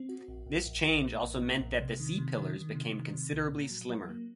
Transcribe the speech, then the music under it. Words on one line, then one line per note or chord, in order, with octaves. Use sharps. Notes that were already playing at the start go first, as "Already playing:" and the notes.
This change also meant that the C-pillars became considerably slimmer.
Already playing: C4
F#4
A#1
A#1
A#1
A#1
A#2
A#1
A#2
A#1
C3
D#3
C3
D#3
D#3
C3
D#3
C3
C2
A#2
F#3
F#3
A#3